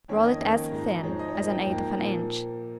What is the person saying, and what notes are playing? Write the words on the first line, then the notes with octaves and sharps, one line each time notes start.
Roll it as thin as an eighth of an inch.
F2 D#3 A#3 C#4 C#5
D#5
F2 D#3 A#3 C#4
G#2 F3 G#3
G#2 F3 G#3 C#5
D#5
C#5
G#2 F3 A#3 D#5
G5
G#2 F3 A#3
A#2 F3 A#3